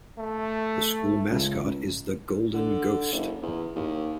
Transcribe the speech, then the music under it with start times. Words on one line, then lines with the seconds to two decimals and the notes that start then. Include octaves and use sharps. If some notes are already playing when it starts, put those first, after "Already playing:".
The school mascot is the "Golden Ghost".
0.18 A3
1.31 C#2
2.54 D3
3.12 F#1
3.43 E2
3.76 D#2